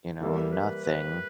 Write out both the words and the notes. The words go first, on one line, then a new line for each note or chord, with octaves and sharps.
you know, nothing
E3 G3 A#3 A4
B4
B4